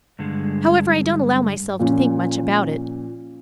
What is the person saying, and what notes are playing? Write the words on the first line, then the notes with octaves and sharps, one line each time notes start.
However, I don't allow myself to think much about it.
G2 D3 G#3
A#2 F3 C#4